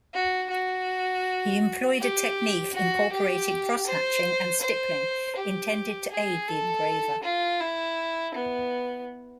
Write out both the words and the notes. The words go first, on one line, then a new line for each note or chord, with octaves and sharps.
He employed a technique incorporating cross-hatching and stippling, intended to aid the engraver.
F#4
F#4
G4
F#4
G4
C5
C5
G4
G#4
A4
F4
E4
B3